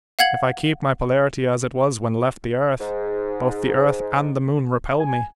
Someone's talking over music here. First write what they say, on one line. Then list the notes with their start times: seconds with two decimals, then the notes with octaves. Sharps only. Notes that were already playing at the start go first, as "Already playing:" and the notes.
If I keep my polarity as it was when left the earth, both the earth and the moon repel me.
0.19 F5 F#5 G#6 F#7
2.79 G#2
5.00 G#5